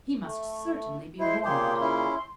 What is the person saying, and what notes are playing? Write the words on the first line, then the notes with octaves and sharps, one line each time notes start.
He must certainly be warned.
A3
G#3 E4 C5
A#2 C#3 A#3 G4 G#4 C5 C6
C#4 E4